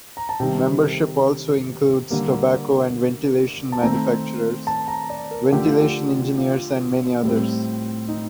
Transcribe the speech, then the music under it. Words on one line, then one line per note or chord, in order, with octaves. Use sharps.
Membership also includes tobacco and ventilation manufacturers, ventilation engineers and many others.
A#5
A5
C3 D#3 G3 G5
D3 G3 A#3
A5
D#3 A3 C4 A#5
A5
A#5
D5
A#4
D3 F3 A3 G4
F4
G4
F4
A2 G3 C4
D#4